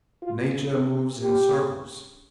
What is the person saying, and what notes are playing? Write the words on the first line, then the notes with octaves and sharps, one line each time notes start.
Nature moves in circles.
F4
G4